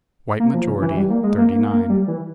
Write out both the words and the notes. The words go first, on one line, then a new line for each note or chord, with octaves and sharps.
White majority, thirty-nine.
A#3
F3
C#3
E3
G3
A#3
G#3
A#3
A#3
A#3
G3
E3